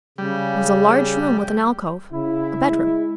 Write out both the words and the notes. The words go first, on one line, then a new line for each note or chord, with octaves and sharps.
It was a large room with an alcove--a bedroom.
C#3 G3
C#3 E4
G#3